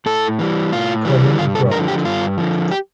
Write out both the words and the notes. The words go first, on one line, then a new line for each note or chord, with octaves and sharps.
Colin Grant.
A2 A4
E3 G3
A2 F4
E3 G3
G2 F4
A4
D3 F3 A#4
G4
G2 F4
D3 F3
G4